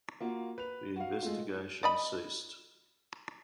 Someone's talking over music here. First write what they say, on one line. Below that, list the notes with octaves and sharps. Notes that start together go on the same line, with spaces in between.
The investigation ceased.
A#3 F4 F#4
B4 F7
F#4 F5
G#3 A3 F4
D5 D#5 B5